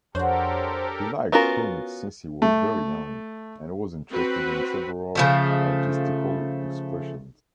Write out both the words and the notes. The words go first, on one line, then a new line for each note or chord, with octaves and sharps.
He liked comics since he was very young, and was interested in several artistical expressions.
F2 D4 F#4 G4 A4 A#4 C5 C#5
B3 C#4 F4 F#4 A#4
A3
C4 F#4 B4
C#3 F3 A3